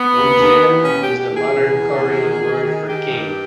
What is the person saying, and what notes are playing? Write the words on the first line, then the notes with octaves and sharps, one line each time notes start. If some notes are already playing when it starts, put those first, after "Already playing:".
"Imgeum" is the modern Korean word for "King".
Already playing: B3
D#2
D#2
D#2
B2 C#4
G4
B2
G4
E2
G#4
B2
E2
E2
D#3
D#3
D#3
D#3 G4
G2